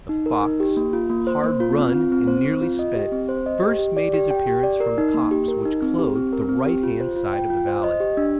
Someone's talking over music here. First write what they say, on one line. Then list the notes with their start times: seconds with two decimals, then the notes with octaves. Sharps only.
The fox, hard run, and nearly spent, first made his appearance from the copse which clothed the right-hand side of the valley.
0.09 D#4
0.26 A#4
0.43 D#4
0.60 G4
0.77 A#3
0.93 F4
1.10 A#3
1.27 C5
1.44 A#3
1.60 F4
1.78 C4
1.94 F4
2.12 C4
2.27 C5
2.45 C4
2.61 F4
2.79 D#5
2.95 G4
3.12 C4
3.29 C5
3.46 D#5
3.63 G4
3.79 G4
3.97 D5
4.13 G4
4.31 G5
4.47 G4
4.63 D5
4.80 A#4
4.98 D#4
5.14 A#3
5.31 G4
5.48 A#4
5.65 D#4
5.82 C4
5.99 G4
6.16 C4
6.33 A#4
6.49 C4
6.66 G4
6.83 F4
7.00 C5
7.17 F4
7.33 G5
7.50 F4
7.67 C5
7.84 D#5
8.00 G4
8.17 D4